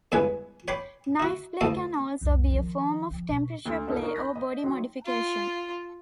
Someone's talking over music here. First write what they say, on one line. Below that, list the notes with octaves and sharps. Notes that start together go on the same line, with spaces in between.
Knife play can also be a form of temperature play or body modification.
E2 G2 C#3 G#3 B4 G#5
C#5 G5 B5 C6 D6
E4 F#4
A1 D2 A4 D#5 F5
C2 F2
D#3 F3
F3
B2
D2
G1 C#2 D#4 A4 E5 F5
D#4 A#4 C#6 D#6
B5 G6 A#6 B6
D#5
F#3 D#4 G5 C6
F4